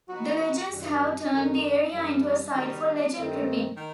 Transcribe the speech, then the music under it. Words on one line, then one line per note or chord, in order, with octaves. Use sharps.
The legends have turned the area into a site for legend tripping.
E3 B3 D#4 F#4
F#2 D#3 G3 D#4 F#4
F#2 D#3 A3 D#4 F#4
F#2 E3 G3
D#3 G3 B3 D#4 F#4
G2 D#3 A3 C4
D#3